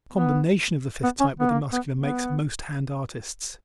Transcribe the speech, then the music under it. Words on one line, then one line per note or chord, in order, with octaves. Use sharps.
A combination of the fifth type with the Muscular makes most hand artists.
B3
B3
C#4
B3
A#3
B3
B3